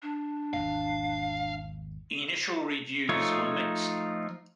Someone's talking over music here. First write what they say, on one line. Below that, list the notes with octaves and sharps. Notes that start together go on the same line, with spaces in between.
Initial reviews were mixed.
D4
G#1 E2 G#2 F5
F3 A3 D#4 F4 C#5